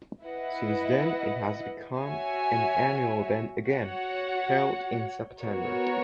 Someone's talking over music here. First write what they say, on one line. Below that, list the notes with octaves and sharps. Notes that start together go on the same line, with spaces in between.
Since then it has become an annual event again, held in September.
E4 B4 D#5 F#5
F#4 C#5 E5 G#5
F#4 C#5 F#5
B3 F#4 A#4 C#5